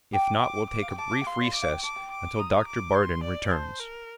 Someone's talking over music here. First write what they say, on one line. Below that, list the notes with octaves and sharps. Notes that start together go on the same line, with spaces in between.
"If not we'll take a brief recess until Doctor Bardon returns."
G5 D6
D6
D6
F5
G5
A5 D6
A5
G5
F5 C6
D5
D#5 D6
F5
G5
A5 D6
G5
D6
A#5 D#6
A#5
D6
C6
D5
C5 A5
A#4